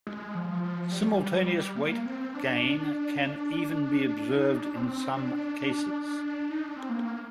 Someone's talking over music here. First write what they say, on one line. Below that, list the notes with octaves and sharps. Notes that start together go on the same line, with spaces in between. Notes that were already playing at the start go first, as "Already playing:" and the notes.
Simultaneous weight gain can even be observed in some cases.
G#3
F3
F3
G3
G3
G3
G3
A#3
C4
D4
D4
D#4
D4
C4
C4
D4
D#4
D4
C4
A#3